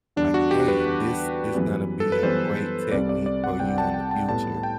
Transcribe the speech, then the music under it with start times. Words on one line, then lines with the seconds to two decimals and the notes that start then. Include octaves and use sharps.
like, "Hey, this is gonna be a great technique for you in the future,"
0.16 E2 D3 G3 D4
0.34 F#4
0.51 G4
0.68 B4
0.86 E2 D3 G3
1.54 F#2 E3 G3 B3
2.00 A4
2.12 B4
2.22 F#2 E3 G3 B3 C5
2.91 C2 C3 G3 C4 D5
3.09 D5
3.26 D5
3.44 F#5
3.60 C2 C3 G3 C4 G5
3.78 A5
3.94 G5
4.11 A5
4.29 A2 G3 B3 A5
4.63 G5